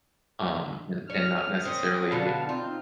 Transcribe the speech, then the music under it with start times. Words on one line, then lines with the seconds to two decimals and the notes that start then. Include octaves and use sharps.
um, and and not necessarily
1.10 C#4 F6
1.64 A#3 C4 C#4 D#6
2.12 B2 D3 F5 A5
2.49 C4 D#4 F4